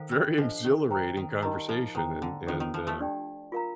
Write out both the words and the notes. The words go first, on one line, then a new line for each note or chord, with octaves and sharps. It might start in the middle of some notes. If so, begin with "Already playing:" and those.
very, exhilarating conversation and and, uh,
Already playing: D#3 A4 C5 F5
G3
F3 D4 A4 C5 D#5
D#3
C5 G5 A#5
D#3
G3 D#4 G4 A#4 D#5 A#5
F3
D#3 C5 G5 A#5
D3
D#3 D4 F4 A4 C5
D#3
F3
F3 A3
D4 G4 D5 G5
F4 A#4 F5 A#5